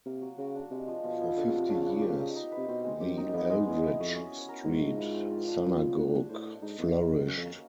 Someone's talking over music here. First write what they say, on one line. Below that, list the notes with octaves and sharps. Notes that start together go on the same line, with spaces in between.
For fifty years, the Eldridge Street Synagogue flourished.
C3 A#3
F#3
C#3 F#4
D4
C3 G#3
F3
B2 F3
B3
D3 F#4
C#3
C3 D4
C#3 D4
B4
G4
D#4
D#4
B4
C3
B2 C4
G#3
F#2 G4
D#4
F#2
F2 B3
G#3
E2 G#3
E4
F2 F#4
C#4
C#4
A#4
G#2 G#3
F3
E4
C4
F4
D4
B4
G#4
A#2 F#4
D4
A2 C5
A4
G#2 D#4
E2 A#3
A#3
G2 F#4
F#2 C#4
F2
A#3